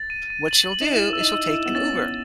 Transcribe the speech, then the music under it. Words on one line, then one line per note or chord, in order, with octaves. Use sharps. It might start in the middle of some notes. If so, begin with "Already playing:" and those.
What she'll do is she'll take an Uber.
Already playing: A6
D#7
D#7
F#7
F#7
D#4
E4 E7
E6
D#4
E6
E4
E7
B3
C#4 A6
A6